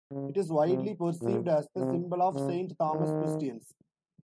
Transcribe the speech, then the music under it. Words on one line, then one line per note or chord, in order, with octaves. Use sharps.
It is widely perceived as the symbol of Saint Thomas Christians.
C#3
C3
A#2
C3
C#3
D#3